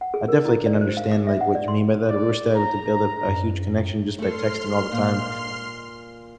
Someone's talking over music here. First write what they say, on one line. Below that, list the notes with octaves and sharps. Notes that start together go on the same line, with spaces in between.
I definitely can understand, like, what you mean by that, we were still able to build a f a huge connection just by texting all the time.
F#5
G#4
A#4
E4
D5
C5
F5
D6
E5
F#5
D5
C6
D5
A#5
F#2
A3 A4 C6 F6 C7
A#2